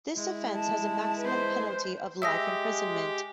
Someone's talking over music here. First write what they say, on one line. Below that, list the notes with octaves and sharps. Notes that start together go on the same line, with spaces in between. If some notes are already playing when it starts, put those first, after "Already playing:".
This offence has a maximum penalty of life imprisonment.
G#3 E4
A5
B4 C5
G#3 G4 E5 D#6 E6 A#6